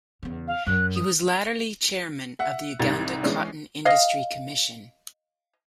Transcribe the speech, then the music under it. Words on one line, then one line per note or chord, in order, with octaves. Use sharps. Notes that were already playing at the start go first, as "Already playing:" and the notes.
He was latterly Chairman of the Uganda Cotton Industry Commission.
E2 C#3
F5
F#2 F#6
D#6
E5 F#5
C2 G#2 G3 G#6 A6
E3 G#3 C#4 D4
D#5 F5